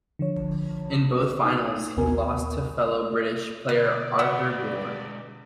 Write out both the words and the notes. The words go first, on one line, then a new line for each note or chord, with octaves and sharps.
In both finals he lost to fellow British player Arthur Gore.
D3 F3 C#5
D#4
A#1 D#2 A#2 B3 A#4 G#5
B2 D3 B4 D5
G#3 B4 E5 F#5